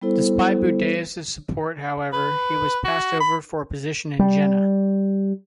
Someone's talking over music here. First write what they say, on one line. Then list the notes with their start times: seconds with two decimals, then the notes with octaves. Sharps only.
Despite Buddeus's support, however, he was passed over for a position in Jena.
0.02 G3 B3 E4 A4 C5
2.13 B4
2.84 F#4
3.20 B5
4.19 G3